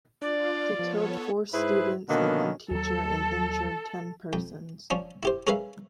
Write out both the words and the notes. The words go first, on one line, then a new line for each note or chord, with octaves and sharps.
They killed four students and one teacher, and injured ten persons.
D4 F4 D5
F3 B3 A4 C#5
G#2 E4 G#4 B4 C5
B2 D3 D#3 A#3 B3 C#4
D#2 F#3 A4
F2 G5
F3 C#4 D4
E4 G4 C5
C#4 G#4 A#4 B4 E5 F5